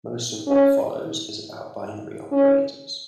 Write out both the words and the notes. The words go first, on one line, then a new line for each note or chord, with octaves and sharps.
Most of what follows is about binary operators.
C#4
C#4